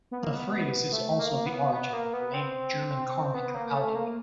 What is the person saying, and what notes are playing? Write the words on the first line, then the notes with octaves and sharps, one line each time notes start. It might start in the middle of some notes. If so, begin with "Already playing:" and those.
The phrase is also the origin of the name of German carmaker Audi.
B3
A#3
B3
A3
A#3
B3
B3
A#3
B3
C4
B3
A#3
A3
A#3